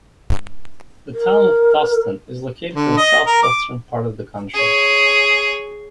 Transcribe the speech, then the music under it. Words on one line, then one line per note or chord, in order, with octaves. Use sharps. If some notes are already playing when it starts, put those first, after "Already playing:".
The Town of Tusten is located in southwestern part of the county.
A#4
D3
D#5
A#4
D6
G#4 C#5